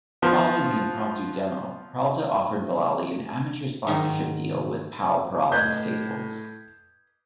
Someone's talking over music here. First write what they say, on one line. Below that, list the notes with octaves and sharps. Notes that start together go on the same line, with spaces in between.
Following the impromptu demo, Peralta offered Vallely an amateur sponsorship deal with Powell-Peralta Skateboards.
F3 B3
G#2 D#3 F#3
A2 B4 D#5 G6 G#6